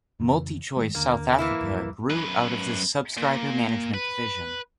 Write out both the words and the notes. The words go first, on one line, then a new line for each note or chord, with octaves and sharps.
MultiChoice South Africa grew out of this subscriber management division.
F2 C#3 E3
D#3 G#3
D#2 D3 A#3 D4
E3 A#3 E4
D1 F2 G3
F#2 B4
A#2
B4